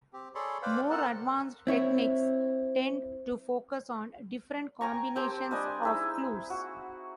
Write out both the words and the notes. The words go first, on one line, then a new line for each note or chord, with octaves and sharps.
More advanced techniques tend to focus on different combinations of clues.
C4 G4
G#4 A4 C#5 D5 B5 C6
B4 C5 D5 F5 G5 B5
C4 A4 A#4 F#5 A5
C4 E4 C#5
G5 G#5 A#5 C#6
C4 G4 C5 A5
G3 D4 D#5 G#5
D#4 E4 G#4
F#4